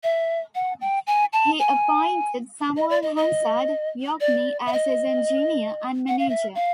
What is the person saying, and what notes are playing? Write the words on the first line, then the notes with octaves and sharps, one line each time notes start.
He appointed Samuel Hansard Yockney as his engineer and manager.
E5
F#5
G5
G#5
A5
G#5
D#5
D5
D#5
D#5
D5
E5
D#5
F#5
F5
E5
F5